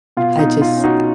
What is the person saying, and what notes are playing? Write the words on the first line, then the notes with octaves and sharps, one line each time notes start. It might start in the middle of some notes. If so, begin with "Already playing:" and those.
I just
B2 F4
D#4
B2
F4
C#4
D#4 F#4